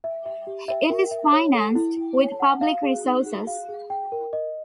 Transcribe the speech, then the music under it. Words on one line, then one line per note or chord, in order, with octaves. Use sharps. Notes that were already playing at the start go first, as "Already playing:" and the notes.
It is financed with public resources.
E5
E5
G4
E5
A#4
E5
C#5
A4
E4
E4
C#5
F#5
F5
G#4
D#4
G#4
F5
G#4
G5
A#4
D#5